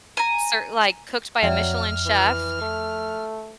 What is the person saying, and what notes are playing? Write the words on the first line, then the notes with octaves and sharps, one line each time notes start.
ser like cooked by a Michelin chef
G#5 A#5
F2 F#3 D5 E5 G5 F6
E3
A3